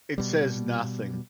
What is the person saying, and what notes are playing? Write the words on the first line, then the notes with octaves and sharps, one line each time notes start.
It says nothing.
B2 G3